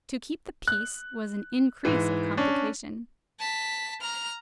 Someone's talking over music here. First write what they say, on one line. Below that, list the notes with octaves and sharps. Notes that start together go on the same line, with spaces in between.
To keep the peace, was an increase of complication.
F#6
G#2 E3
C#4 D4
A5 B6
A#5 F6